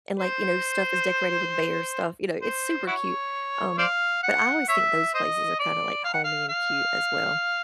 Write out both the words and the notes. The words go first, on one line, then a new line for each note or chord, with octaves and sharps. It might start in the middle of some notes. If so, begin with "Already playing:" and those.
and like, you know, stuff is decorated with bear stuff, you know, it's super cute, um, but I always think those places are kind of, like, homey and cute as well.
C5
C5
E4 F#4 C#5
C5 D5 F5
F#5
C#5 E5
C5 D#5
D5
F5
F#5
F5
F5